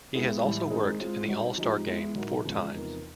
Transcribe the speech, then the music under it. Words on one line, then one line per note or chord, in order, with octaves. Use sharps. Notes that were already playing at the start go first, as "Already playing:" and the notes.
He has also worked in the All-Star Game four times.
G#3 B3 E4 G#4
A2 E3 G3
D#3 G#3 C4 D#4 G#4
G#3 C4 F4
G3 C4 D#4 F#4
F3 G#3 C4 D#4 G4
G#3 B3 E4
A2 F#3 A#3 D#4 F#4
E2 C#3 F3 G#3
E2 C3 F3 A#3 D#4